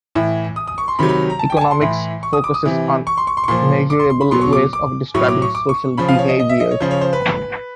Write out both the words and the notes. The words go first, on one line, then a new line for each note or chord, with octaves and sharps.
Economics focuses on measurable ways of describing social behavior.
A2 E3
D#6
D#6
C#6
C6
C3 D#3 F#3 B5
B5
A#5
A5
G5
G#5
A5
C6
A2 E3
C#6
D#6
D6
D#6
C3 E3
C#6
C6
C#6
C6
C#6
A#2 F3 C6
D6
C6
C6
B5
B2 F#3 C6
C#6
D6
D6
A2 F#3 C#6
D6
C#6
D6
C#6
C#3 F3 B5
F5
C#5
D#5
D#5
E5
D#5
C#5
C#3 F3 C5
C#5
C5
B4